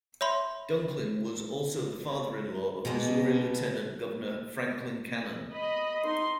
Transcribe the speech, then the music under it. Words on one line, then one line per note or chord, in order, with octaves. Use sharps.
Dunklin was also the father-in-law of Missouri Lieutenant Governor Franklin Cannon.
C#5 E5 B5 C6
B2 G#3 A#3 B3
D#5 B5
D#4 C6